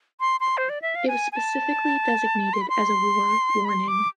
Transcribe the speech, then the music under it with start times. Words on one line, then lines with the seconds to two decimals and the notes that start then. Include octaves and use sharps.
It was specifically designated as a war warning.
0.20 C6
0.40 C6
0.57 C5
0.69 D5
0.82 E5
0.95 F5
1.08 G#5
1.32 G#5
1.36 A5
2.53 C6
2.61 B5
2.69 C6
3.65 B5
3.69 C6
3.88 D6